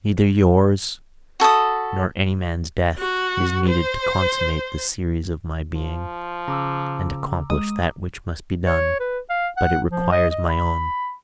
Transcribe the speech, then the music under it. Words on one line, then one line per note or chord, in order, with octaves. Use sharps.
Neither yours nor any man's death is needed to consummate the series of my being and accomplish that which must be done, but it requires my own.
F#4 A4 B5 D#6
F#4
C5
F3
C#3 A#5 D6 E6
G#3 D#6
C#5
B4
F5
F#5
F3
D#5
D#5
B5